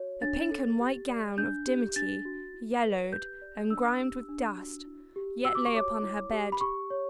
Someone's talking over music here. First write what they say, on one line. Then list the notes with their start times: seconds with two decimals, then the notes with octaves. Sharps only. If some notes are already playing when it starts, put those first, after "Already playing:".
A pink and white gown of dimity, yellowed, and grimed with dust, yet lay upon her bed.
Already playing: F#4 C#5
0.22 D4 A6
0.51 A4
0.80 G4
1.09 D5
1.38 D4 G6
1.67 G4
1.96 D4 A6
2.25 F#4
2.54 E4
2.84 B4
3.12 G4 G6
3.42 D5
3.70 D4 E6
4.00 G4
4.29 D4
4.57 F#4
4.87 E4
5.16 G4
5.45 F#4 E6
5.55 D6
5.66 C#6
5.74 C#5 D6
6.03 E4
6.32 G4
6.52 B5
6.61 G4 C#6
6.90 C#5